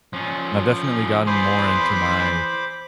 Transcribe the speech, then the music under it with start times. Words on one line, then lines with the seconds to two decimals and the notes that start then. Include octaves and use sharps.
And I've definitely gotten more into my,
0.13 F3 C#4
1.27 E3 G#4 C5 B5 C6 D6